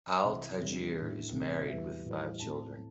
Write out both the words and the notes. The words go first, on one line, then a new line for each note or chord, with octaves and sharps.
Al Tajir is married with five children.
C2 C3 E3 C4 E5
E2 C3 G3 D4
A2 G3 D4
C2 C3 A3
E2 E3 G3 E5
A2 E3 G3
A2 E3 A3 C4 A5